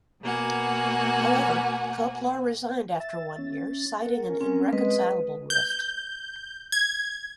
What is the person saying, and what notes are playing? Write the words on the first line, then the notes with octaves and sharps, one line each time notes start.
However, Koplar resigned after one year, citing an irreconcilable rift.
B2 A#3 F#4 G#5
E5 A6
C#4
A#4 F#5
C#4
C4 C#4
G#3 B4 D#5
G6
G#6